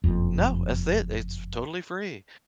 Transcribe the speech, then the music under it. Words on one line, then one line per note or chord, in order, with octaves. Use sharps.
No, that's it, it's totally free,
F#1 F2